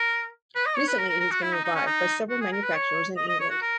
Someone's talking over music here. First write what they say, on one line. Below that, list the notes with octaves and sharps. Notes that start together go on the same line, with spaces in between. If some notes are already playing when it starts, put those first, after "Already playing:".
Recently it has been revived by several manufacturers in England.
Already playing: A#4
B4
D#5
C#5
B4
A#4
A#4
A#4
F#4
E4
D#4
D#4
C#4
D#4
F#4
G#4
A#4
B4
C#5
D#5
D#5
C#5
F#4
A#4